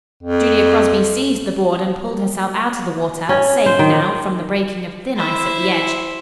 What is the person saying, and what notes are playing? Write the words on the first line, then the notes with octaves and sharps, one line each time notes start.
Julia Crosby seized the board and pulled herself out of the water, safe, now, from the breaking of thin ice at the edge.
F2
C#4
C5
D#3
E4 C5 E5